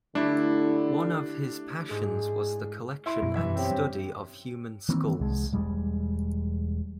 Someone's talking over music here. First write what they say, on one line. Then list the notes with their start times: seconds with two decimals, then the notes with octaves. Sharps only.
One of his passions was the collection and study of human skulls.
0.15 D3 A3 D4 E4 G4
1.90 G#2 G#4
3.06 E4 C6
3.22 F#2 B2 F#3
3.36 E3 E5
3.56 C4 C#4 G4
3.71 G2
4.89 D#3 E3 A#3 C4
5.20 C2 G#3
5.52 E1 G3 G#3